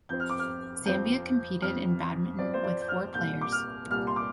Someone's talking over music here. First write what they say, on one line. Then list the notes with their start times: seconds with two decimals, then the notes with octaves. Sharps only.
Zambia competed in badminton with four players.
0.09 F2 F3 C4 G6
0.20 F6
0.30 D6
0.39 F6
0.85 F2 F3 C4 G6
1.62 F2 F3 C4 F6
2.38 F2 F3 C4 D5
2.54 C5
2.63 D5
2.81 G6
2.88 F6
3.14 C2 A#2 G3 G6
3.41 D6
3.52 F6
3.90 C2 A#2 G3 F6
4.07 C6
4.16 D6